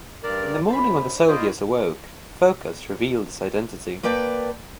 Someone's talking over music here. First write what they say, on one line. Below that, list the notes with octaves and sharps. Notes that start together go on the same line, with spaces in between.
In the morning, when the soldiers awoke, Phocas revealed his identity.
G2 D4 A#4 D5
F#2 C5 A5 B5
C#4 E4 F4 C5 D5 D#5
A#3 B4 D5 G5 A5